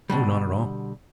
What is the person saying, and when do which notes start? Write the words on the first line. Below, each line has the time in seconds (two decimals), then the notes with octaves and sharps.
'O--not at all.
0.10 B2 D3 G3